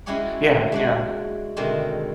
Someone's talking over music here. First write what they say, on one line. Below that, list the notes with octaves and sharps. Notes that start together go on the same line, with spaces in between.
Yeah, yeah.
G#3 C#4 E4 F#4 G4 C#5
G#3 D4 F#4
B2 D3 D#3 G#3 A3 C4